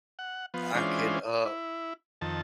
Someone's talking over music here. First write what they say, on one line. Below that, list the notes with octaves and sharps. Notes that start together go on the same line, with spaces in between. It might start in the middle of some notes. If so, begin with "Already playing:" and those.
I could, uh,
F#5
F3 B3
E3 G#3 C#4 D4 F4 C5
E4
F2 D#3 A5